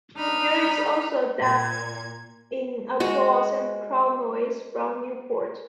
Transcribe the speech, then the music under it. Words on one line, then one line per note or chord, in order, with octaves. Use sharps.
There is also dubbed in applause and crowd noise from Newport.
D4 D#4 B5 F6
A#2 G#6
G#3 F#4